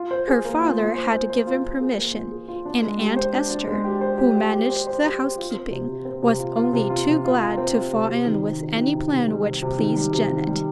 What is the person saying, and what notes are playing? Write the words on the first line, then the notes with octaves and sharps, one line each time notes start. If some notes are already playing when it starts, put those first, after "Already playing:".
Her father had given permission, and Aunt Esther, who managed the housekeeping, was only too glad to fall in with any plan which pleased Janet.
Already playing: F4
C5
G#4
A#3
F4
F4
C5
C5
C5
F4
F4
G#4
A#3
F4
G#4
F4
D4
G#3
G4
C5
D4
D4
G#3
G4
C5
G4
G4
G4
C5
C5
G4
C5
F4
C4
C3
C3
C4
C3
F4
F4
C3
F4
C3
F4
F4
C4
F4
C3
C3
D#3
C3
D#3
D#3
C3
C3
G3
C3
C3
D#3
G3
C3
D#3
G3